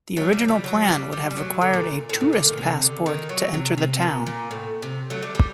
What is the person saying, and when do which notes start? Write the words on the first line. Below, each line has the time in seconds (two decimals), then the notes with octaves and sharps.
The original plan would have required a "tourist passport" to enter the town.
0.17 F#3 A3
0.33 G3
0.48 G3
0.64 F#3
0.88 G3
1.12 G3
1.31 G3
1.37 F#3
1.61 D3
1.73 A#2
2.09 A2
2.21 A#2
2.33 D3
2.45 D#3
2.58 C3
2.82 D3
3.06 D#3
3.29 F#3
3.54 C3
3.78 C3
4.02 A#2
4.26 A#2
4.51 A2
4.82 C3
5.10 F#3 A3
5.22 G3
5.35 G3